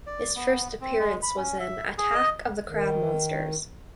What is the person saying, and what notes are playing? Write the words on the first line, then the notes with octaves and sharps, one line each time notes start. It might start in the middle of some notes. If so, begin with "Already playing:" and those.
His first appearance was in "Attack of the Crab Monsters".
D5
B3
C4
G#3
B5
C#4
E5
G#4
D#5
D#3